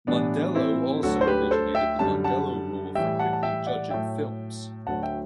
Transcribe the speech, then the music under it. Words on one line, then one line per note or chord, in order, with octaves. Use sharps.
Mondello also originated the Mondello Rule for Quickly Judging Films.
A2 E3 G3 B3 D4
C4 E4
D2 D3 F#3 F#4 A4
C5
G4 B4
A4 C5
E5 G5
F#2 D3 G3 A5
F#5 A5
A2 E3 G3 E5 G5
F#5 A5
A5
E5 G5
D5 F#5
A2 F#3 E5 G5
D2 D3 F#3 F#5 A5
E5 G5